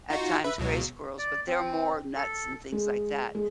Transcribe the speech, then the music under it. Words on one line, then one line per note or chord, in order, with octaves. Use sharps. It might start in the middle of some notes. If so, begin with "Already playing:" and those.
at times, gray squirrels, but they're more nuts and things like that,
D#4 F4 F#4
B4 E5
C#2 B2 F#3
D5
C4
A4
G#3
G#3